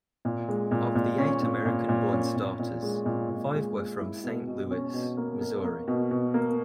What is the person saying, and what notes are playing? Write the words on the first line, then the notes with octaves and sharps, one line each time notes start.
Of the eight American-born starters, five were from Saint Louis, Missouri.
A#2
G#3
A#2
A#2
C#4
A#2
A#2
A#2
C#4
A#2
A#2
G#3
A#2
A#2
G#3
G#3
E4
B2
B2
C#4
B2
A#3
A#3
A#3
B2
B2
A#3